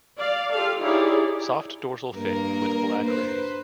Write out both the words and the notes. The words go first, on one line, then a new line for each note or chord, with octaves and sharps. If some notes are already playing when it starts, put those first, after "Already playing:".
Soft dorsal fin with black rays.
D5 F5
F4 G4 A4 F5
D#4 E4 G4 G#4 C#5 D5
G2 A#3 A#4
B4 C5